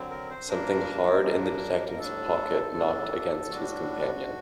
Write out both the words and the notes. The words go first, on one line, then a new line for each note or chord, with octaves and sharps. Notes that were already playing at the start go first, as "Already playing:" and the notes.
Something hard in the detective's pocket knocked against his companion.
Already playing: D3 F#3 C4
A#4
C5
A#2 G3 A#3 D4 A#4
A#2 G3 A#3 D4
A#4
A2 G3 D4 A4
A2 G3 D4
A2 G3 D4 F#4